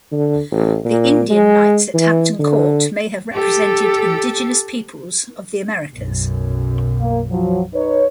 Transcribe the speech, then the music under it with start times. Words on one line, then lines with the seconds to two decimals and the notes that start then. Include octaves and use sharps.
The Indian knights at Hampton Court may have represented Indigenous peoples of the Americas.
0.12 D3
0.52 A1
0.84 A#2
1.29 G#3
1.94 E3
2.39 D3
3.33 G4 A4
5.94 B1 F#2 B2
7.00 A#3
7.31 F3 F#3
7.75 D#4 B4 C#5